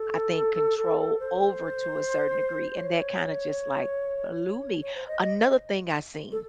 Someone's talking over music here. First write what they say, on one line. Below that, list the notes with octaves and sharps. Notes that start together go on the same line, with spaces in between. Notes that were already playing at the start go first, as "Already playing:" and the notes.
I think, control over to a certain degree, and that kinda just, like, blew me. Another thing I seen,
Already playing: A4
C5
C#5
C#5
C5
D#5
D#5
A4